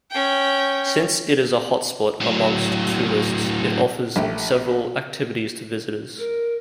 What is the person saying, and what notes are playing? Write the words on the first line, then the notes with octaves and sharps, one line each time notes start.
Since it is a "hotspot" amongst tourists it offers several activities to visitors.
C#4 G5
A2 F#3
A#1 A3 G4
A#4